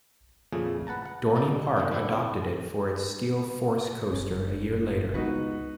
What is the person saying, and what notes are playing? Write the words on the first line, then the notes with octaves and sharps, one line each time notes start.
Dorney Park adopted it for its Steel Force coaster a year later.
F2 A#2 C#3 A3 G#4
B4 F#5 A5 A#5
F#5
G3 C#4 D#4 D5
D#3 A#3 G#4 G5
E3 F#3 C4 D4 E4
F#1 G2 C#4
C#2 G3 B3 D#4 F#4 B4